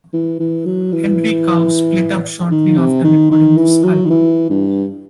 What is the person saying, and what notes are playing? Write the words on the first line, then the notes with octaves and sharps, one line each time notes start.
Henry Cow split up shortly after recording this album.
E3
E3
F#3
E3
D#3
C3
D#3
D#3
E3
F#3
D#3
E3
G2